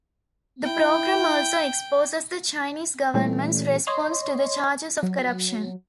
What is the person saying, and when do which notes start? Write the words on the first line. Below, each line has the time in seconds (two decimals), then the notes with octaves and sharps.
The programme also exposes the Chinese Government's response to the charges of corruption.
0.64 E4 G5
3.14 A#2 E3 G3 A3 C#4
3.87 C#5 D#5 C6
5.03 F#3